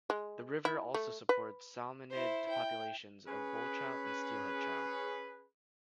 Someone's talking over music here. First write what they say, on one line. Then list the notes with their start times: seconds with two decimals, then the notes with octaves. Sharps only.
The river also supports salmonid populations of bull trout and steelhead trout.
0.10 G#3
0.65 E4
0.94 A3
1.29 B4
2.10 E4 C5
2.49 G5
3.27 C#4 G#4 B4